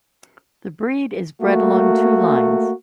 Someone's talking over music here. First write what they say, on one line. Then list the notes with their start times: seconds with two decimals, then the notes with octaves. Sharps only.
The breed is bred along two lines.
1.40 A3 A#3 F#4